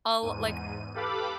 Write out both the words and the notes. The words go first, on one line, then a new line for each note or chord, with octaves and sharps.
I'll, like
E2 G#2 D#7
G4 A4 B4 F5 B5 D6